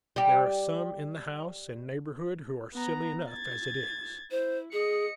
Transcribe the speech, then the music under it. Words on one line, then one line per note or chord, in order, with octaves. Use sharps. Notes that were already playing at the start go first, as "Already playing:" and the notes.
There are some in the house and neighbourhood who are silly enough as it is.
G3 G4
B3 A#5
G#6 A6
E4 C5
G#4 D#5 C#7